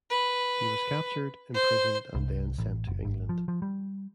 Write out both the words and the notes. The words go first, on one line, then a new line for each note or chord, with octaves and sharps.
He was captured, imprisoned and then sent to England.
B4
C5
C2
A1
F#1
G#1
F3
F3
G3